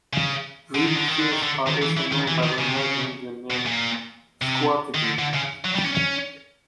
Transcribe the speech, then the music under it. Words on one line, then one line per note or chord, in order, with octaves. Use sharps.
Weakfish are also known by the American Indian name Squeteague.
C#3
D3
D#3
D3
D#3
D3
D#3
D3
D#3
E3
E3
D#3
E3
D#3
C#3
C3
C#3
B2
A#2
C3
D#3
D3
D3
C#3
F#3
G3
C#4
C#4